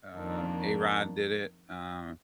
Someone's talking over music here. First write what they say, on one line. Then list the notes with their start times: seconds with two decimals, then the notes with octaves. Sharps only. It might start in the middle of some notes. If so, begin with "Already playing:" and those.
uh, A-Rod did it, um,
0.16 F2 D#3 A#3 D4